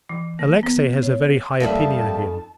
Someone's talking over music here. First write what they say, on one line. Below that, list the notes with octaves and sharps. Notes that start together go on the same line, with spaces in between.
Alexey has a very high opinion of him.
E3
A#3
B3
C#5
F2 D#3 G3 A#3 E5 A5